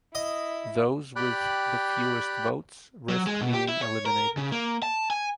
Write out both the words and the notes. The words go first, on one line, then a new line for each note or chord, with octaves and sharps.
Those with the fewest votes risk being eliminated.
E4 D#5
G4 D5 G5 B5 F#6
F#3
G#3
B2
G4
E4
C#5
A#4
C#3
A#3
A5
G#5